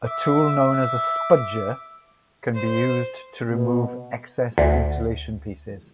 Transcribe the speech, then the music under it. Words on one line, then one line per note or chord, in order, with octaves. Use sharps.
A tool known as a spudger can be used to remove excess insulation pieces.
E5 D6
C5
B2
D2